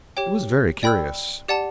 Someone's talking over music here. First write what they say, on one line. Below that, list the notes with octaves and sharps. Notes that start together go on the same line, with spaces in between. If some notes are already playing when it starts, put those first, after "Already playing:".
It was very curious.
G4 C#5 G5
D5 G5 B5 E6
G4 D5 F#5 A5